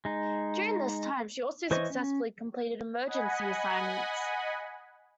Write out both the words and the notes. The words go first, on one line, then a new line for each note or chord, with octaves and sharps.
During this time she also successfully completed emergency assignments.
G#3 D#4
E3 C5 C#5 D#5 C#6
C#4
D#5 F#5 G#5 B5